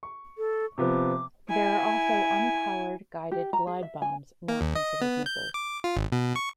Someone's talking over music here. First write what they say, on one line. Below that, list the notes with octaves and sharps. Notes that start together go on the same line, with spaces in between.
There are also unpowered guided glide bombs not considered missiles.
C#6
A4
C3 F3 B3 D6
E4 G#5
G4
A#5
G#4
E5
G#5
A#3
D#2
D#5
B3
G6
D6
F4
G#1
B2
C#6